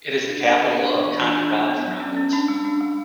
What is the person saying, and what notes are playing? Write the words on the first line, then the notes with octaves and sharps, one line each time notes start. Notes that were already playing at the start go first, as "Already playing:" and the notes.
It is the capital of Candarave Province.
G#3
D4
D4 F#5
B3 B5
D4 B5
D4 C#6
E3 B5
D4 A5
D4 G#5
D4
B3
F#3
C#4
C#4
D4 A5
G#3
D4
G#3